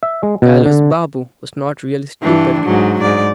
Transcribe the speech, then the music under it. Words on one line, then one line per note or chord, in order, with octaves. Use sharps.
Kailas Babu was not really stupid.
E5
G#3
B2
D3
G2 E3 D4
G#2 F#3
G#2 D5